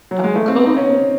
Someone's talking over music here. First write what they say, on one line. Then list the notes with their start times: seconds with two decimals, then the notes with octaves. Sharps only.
Oh, cool.
0.11 F#3
0.24 G#3
0.35 A3
0.48 C4
0.65 D#4
0.77 C#4